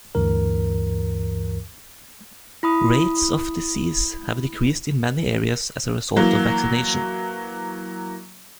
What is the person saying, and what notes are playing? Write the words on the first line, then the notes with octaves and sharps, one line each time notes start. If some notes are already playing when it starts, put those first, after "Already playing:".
Rates of disease have decreased in many areas as a result of vaccination.
D2 G2 E3 A#4
E4 B5 D#6
E3 F#3 A#3